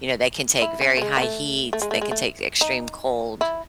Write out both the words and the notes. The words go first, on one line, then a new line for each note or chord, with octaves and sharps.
You know, they can take very high heat, they can take extreme cold.
E4
C#4
A3
G#3
B3
A3
A3
G#3
A3
G#3
A3
D#4
E4